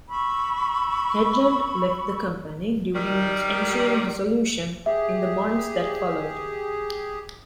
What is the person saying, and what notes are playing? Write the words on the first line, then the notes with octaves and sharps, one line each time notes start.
Hedlund left the company during its ensuing dissolution in the months that followed.
B5 C#6 E6
D#3 G3
G4 G#4 E5